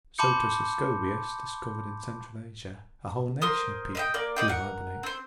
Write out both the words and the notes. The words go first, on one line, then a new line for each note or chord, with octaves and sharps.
Sotus Ecobius discovered in Central Asia a whole nation of people who hibernate.
A5 B5 C6 D6 G6 C#7
A#4 C5 C6 D#6
D#5 E5 G5
A#3 D5
D5 D#5 G5
A#4 F#5
C4 C5